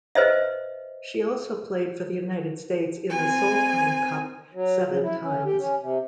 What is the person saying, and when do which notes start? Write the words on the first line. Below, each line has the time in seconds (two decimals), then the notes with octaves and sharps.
She also played for the United States in the Solheim Cup seven times.
0.15 B4 C5 D#5 E5
3.10 C4 G#5
4.54 F#3
4.88 C#3
5.03 E4
5.23 C#4
5.45 G4
5.59 C#4
5.81 C3